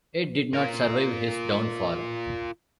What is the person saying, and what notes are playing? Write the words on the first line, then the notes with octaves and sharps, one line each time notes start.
It did not survive his downfall.
F4 A#4